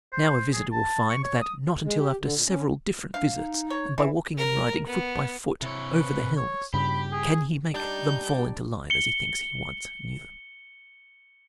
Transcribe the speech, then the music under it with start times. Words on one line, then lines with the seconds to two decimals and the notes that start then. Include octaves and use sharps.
Now a visitor will find that not until after several different visits, and by walking and riding foot by foot over the hills, can he make them fall into line as he thinks he once knew them.
0.13 C5
0.53 G#4
0.72 A5
1.10 C#6
1.24 C#5
1.41 D#6
1.84 G#3
1.98 G4
2.21 D3
2.34 A#2
2.47 C#4
3.14 D4 F5
3.35 D#4
3.70 C#5
3.98 E3
4.38 A#4
4.86 B3
5.62 C3 E4 C#5
5.99 B4
6.37 C#5
6.74 G2 C#3 G4 B5
7.12 G#4
7.74 G3 D4 D#4 G6
8.90 C#7 G7